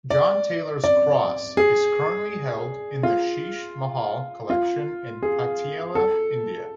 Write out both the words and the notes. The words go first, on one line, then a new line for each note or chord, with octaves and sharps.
John Taylor's Cross is currently held in the Sheesh Mahal Collection in Patiala, India.
D5
D5
G#4
F4
F4
G#4
A4